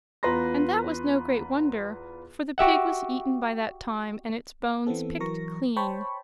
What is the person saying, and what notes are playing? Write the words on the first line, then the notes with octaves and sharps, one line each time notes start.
And that was no great wonder, for the pig was eaten by that time and its bones picked clean.
E2 F4 B4 A#5 C6 A#6
F#4 G4 E5 F#5
E3 B3 C4 A4
E3 F#3 A#4 C#6 A#6
C5 C#5 G5 A5 B5 C#6